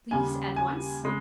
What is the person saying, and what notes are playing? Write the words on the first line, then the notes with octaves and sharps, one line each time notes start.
Please, at once?'
D#2 C#3 G3 G#5
G#5
C#3 G#3